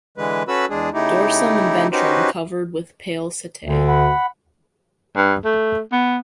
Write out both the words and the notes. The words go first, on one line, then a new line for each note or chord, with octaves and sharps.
Dorsum and ventrum covered with pale setae.
D3 E3 G#3 B4
C#4 F#4 A4 B4 B5 E6
E2 G#3 D4 G#4
C#3 A3 D#4 E4 G4
C#4 D#4 F#4 G4 B4 C5
D2 A#2 D3
F#5 B5
G2
A3
B3